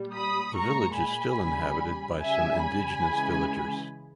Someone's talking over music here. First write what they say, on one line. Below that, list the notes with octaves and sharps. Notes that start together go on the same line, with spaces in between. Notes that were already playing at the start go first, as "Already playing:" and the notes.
The village is still inhabited by some indigenous villagers.
Already playing: A#2 G3
B5 D#6
A#2 G#3 A#5 C#6
G#5 B5
C#3 G3
C#3 G3 E5 G#5
G#5 B5
C#3 E3 G#3